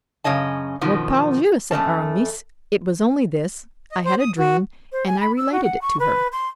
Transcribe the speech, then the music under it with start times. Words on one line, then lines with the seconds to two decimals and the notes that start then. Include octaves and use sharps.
"Well, pardieu!" said Aramis, "it was only this: I had a dream, and I related it to her."
0.24 F#2 C#3 C#5 D#5 A5
0.81 F#2 B2 D#3 F3
1.71 F2 A3 C#4 A5
3.92 D#5
4.05 C5
4.20 D#6
4.39 F#4
4.92 C5
5.07 G#5
5.20 B5
5.37 E6
5.52 F#4
5.64 F#5
5.81 C#6
5.99 B4
6.32 C6